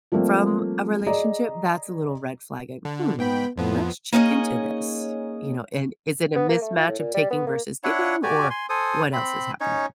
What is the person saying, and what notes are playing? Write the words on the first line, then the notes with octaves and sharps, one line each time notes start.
from a relationship, that's a little red flagging, "Hmm, let's check into this," you know, and is it a mismatch of taking versus giving, or what else is happening?
F3 G3 A3 A#3 C4
G#4 D5 D#5 A#5
D3
G#2 B3 G5 B5
F2 A2 F3 B3
A#3 C#4 D#4 G#4 C#5 D#5
B3
A#3
A3
F4
A2
A#2
G3
B3
A#3
D4 E4 C#5 F#5
F#4 G4 D5 G#5
G#5 C6
A4 C5 G#5 D#6
C4 B5
C#4 D#4 C#5